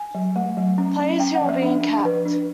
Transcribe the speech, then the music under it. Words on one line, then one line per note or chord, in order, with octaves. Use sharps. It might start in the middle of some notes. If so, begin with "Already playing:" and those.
"Players who have been capped".
Already playing: G#5
F#3
A3
F#3
C#4
C#4
C#4 G5
F#5
F3
E5
D4
D4
F3 B4
D4